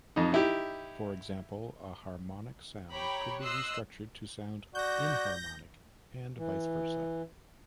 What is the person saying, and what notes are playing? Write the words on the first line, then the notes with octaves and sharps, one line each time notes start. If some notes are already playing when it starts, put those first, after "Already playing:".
For example, a harmonic sound could be restructured to sound inharmonic, and vice versa.
F2 D#4
D#4 E4 G4
G4 C#5 G5 A#5 B5
D#5 C6 E6 F#6
F#4 D5 G6 A#6
E3